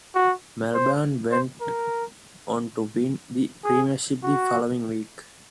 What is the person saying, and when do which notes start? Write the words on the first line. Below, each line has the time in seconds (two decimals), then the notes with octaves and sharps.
Melbourne went on to win the premiership the following week.
0.15 F#4
0.74 C5
1.31 C5
1.61 A#4
3.64 G#4
4.23 F#4